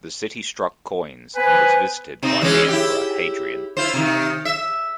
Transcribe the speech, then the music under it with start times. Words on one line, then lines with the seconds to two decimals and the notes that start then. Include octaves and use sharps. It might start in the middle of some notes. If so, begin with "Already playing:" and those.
The city struck coins and was visited by the Emperor Hadrian.
1.36 B3 B4 C5 G#5
2.22 C3 C4 D#4
2.41 E3 G#3 C#4
2.69 E4 G4
3.77 E4 F4 C5
3.94 C3 D#3
4.45 E5